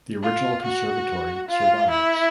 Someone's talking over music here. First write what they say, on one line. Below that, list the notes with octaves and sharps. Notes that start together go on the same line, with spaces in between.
The original conservatory survives.
F4
F#4
F4
E4